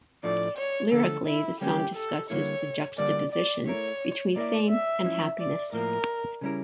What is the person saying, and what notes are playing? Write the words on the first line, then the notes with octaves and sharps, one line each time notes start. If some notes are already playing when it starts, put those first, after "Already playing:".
Lyrically the song discusses the juxtaposition between fame and happiness.
A2 F3 A3 D4 D5
C#5
D3 F3 A3 A4
E4
D3 G3 A#3 C#4 G4
A4
D3 G3 A#3 E4 C#5
D3 G3 A#3 D4 D5
D5
A3 E4 A#4 C#5
A#3 E4 A#4 D5 E5
E5
F3 C#4 E4
D5
A2 F3 A#3 A#4
C#3 G3 C#4 E4 A#4